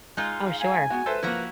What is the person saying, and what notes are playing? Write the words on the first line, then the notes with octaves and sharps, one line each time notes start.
Oh, sure.
G#3 D#4 F4
F5
F5 G#5
B3 F#4
A4 B4 C5 E5
F3 A#3 E4 F#4 A#5